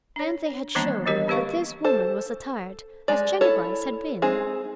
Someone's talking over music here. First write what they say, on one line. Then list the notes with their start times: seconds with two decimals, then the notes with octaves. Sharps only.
And they had shown that this woman was attired as Jennie Brice had been.
0.16 D4 C#5
0.75 D#3 E3 G3 A#3 B3 D4
1.06 E3 G3 F#4 G4 A#4 D#5
1.27 D3 B3 G4 B4 F5 C#6
1.84 A4 C5
3.08 G#3 D5
3.41 E4 A4 C#5
4.22 G#3 C4 D#4 G#4